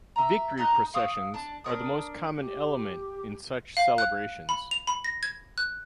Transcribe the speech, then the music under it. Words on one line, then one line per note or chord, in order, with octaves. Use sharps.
Victory processions are the most common element in such celebrations.
E5 A#5
D#4 D#5 A#5 F#6
F5 C#6 D#6 E6
D4 A5
D4 A#4 C#5 D#6
G4
F5
F#6
B5
F7
B5
A#6
G#6
F#6